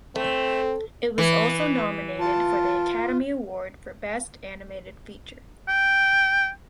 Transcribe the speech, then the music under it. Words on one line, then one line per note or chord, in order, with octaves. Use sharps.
It was also nominated for the Academy Award for Best Animated Feature.
A3 C4
E3 B4
F4 A5
G5